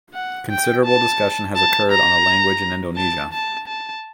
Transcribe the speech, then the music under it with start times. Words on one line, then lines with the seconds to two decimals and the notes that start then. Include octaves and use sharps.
Considerable discussion has occurred on the language in Indonesia.
0.14 F#5
0.50 G5
0.85 A5
1.56 A5
1.91 A#5
2.97 A5
3.33 A5
3.68 A5